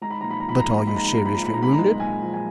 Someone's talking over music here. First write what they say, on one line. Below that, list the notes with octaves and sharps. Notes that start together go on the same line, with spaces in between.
But are you seriously wounded?
G#3 A#5
B5
A#2 A#5
B5
A#5
F3 B5
A#5
A#2 B5
A#5
G#3 B5
A#5
B5
A#2 A#5
B5
F3 A#5
B5
A#2 A#5
B5
A#5
G#3
A#2 G#5
F3
G#5